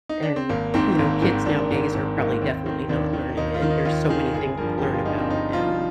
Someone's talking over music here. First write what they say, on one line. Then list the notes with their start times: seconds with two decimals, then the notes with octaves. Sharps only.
and, you know, kids nowadays are probably definitely not learning it, there's so many things to learn about, and,
0.09 D#4
0.23 D4
0.36 C4
0.49 G#1 A#3
0.74 G#2 D#3 C4
0.99 G#1 A#3
1.21 G#2 D#3 C4
1.45 G#1 D4
1.71 G#2 D#3
1.93 G#1 C4
2.18 G#2 D#3 A#3
2.42 D#2 C4
2.66 D#3 C4
2.89 D#2 D4
3.13 D#3
3.37 D#2 D#4
3.54 F4
3.62 D#3
3.70 D#4
3.85 D#2 F4
4.09 D#3 G#4
4.33 G1 G#4
4.57 G2 F3 A#4
4.78 G4
4.82 G1 G#4
4.94 F4
5.05 G2 F3 D#4
5.18 C4
5.30 G1 D#4
5.53 G2 F3 F4